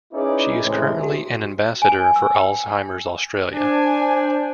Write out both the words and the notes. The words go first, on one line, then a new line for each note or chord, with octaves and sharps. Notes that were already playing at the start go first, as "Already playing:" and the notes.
She is currently an ambassador for Alzheimer's Australia.
C#4 D#4 E4 G#4 B4 D5
A2 C3 E3 G#3
F#4
G#5
E6
G5
D4 C5 G#5